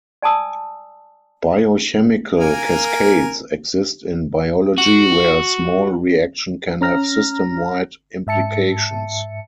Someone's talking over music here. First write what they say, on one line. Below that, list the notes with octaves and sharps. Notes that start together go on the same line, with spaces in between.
Biochemical cascades exist in biology, where a small reaction can have system-wide implications.
D5 G#5 A5 D#6 E6
A#3 A#4 G#5
F#4
C#4 A#5 F6 A#6
G#2 E5 A5 C#7